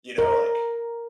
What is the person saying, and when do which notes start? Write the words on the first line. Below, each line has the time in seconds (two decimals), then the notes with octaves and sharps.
you know, like,
0.18 A#4